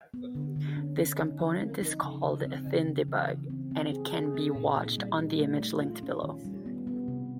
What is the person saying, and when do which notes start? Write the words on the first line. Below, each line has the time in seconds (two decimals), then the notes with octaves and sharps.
This component is called thinDebug and can be watched on the image linked below.
0.14 B3
0.35 D3
0.56 D3
0.77 C#4
0.98 C#4
1.19 D#4
1.40 F3
1.61 C4
1.82 D#4
2.03 C#3
2.24 C#3
2.45 C4
2.66 C#3
2.88 C#3
3.08 E3
3.29 C#3
3.50 C4
3.71 C4
3.92 G#4
4.13 G#4
4.34 C4
4.55 A#2
4.77 D#4
4.98 G3
5.19 D#4
5.40 A3
5.60 A3
5.81 F4
6.03 C#4
6.24 D#3
6.45 G3
6.66 B3
6.87 B3
7.08 C3